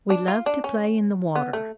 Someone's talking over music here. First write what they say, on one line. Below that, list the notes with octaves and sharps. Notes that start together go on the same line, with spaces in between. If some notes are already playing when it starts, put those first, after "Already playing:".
We loved to play in the water.
D4
F4
D4
C#4
B3
A3